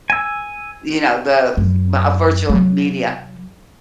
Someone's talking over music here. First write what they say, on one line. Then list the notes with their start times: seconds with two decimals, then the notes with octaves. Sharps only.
You know, the the, uh, virtual media,
0.10 G#5 E6
1.57 F#2
2.49 C3 F#3